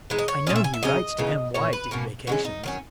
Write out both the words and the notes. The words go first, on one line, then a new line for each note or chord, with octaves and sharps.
I know he writes to Em White in vacations.
E3 G#3 D#4
D#5
C#5
A#2 G#3 C#4 D#5
E5
G#5
E5
C#3 F#3 C#4 D#5
C#3 E3 B3 D#4
A#2 A#3 C#4 C#5
B4
B2 A#3 C#4
E3 G#3 C#4 F#4
D#4
D#3 F#3 C#4